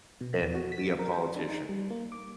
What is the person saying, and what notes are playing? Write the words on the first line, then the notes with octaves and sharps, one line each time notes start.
than be a politician.
B2
E2
F#4
B6
A#4
C5
D4
D#4
G3
A#3
D6